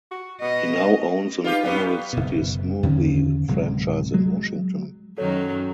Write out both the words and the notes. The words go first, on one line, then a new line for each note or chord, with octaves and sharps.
He now owns an Emerald City Smoothie franchise in Washington.
F#4
B2 D#5
D#4 F4 G4 B4 F5
F#3 G3 B3
F#1 B2
E2 D3 D#3 C#4
D1 C3 F#3 G#3
F#3 G#3
F#2 D#3 F#3 A4 C#5